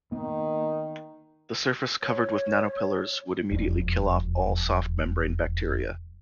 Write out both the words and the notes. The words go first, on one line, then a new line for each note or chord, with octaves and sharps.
A surface covered with nanopillars would immediately kill off all soft membrane bacteria.
D#3 A#3 B3
C#5
E1 F2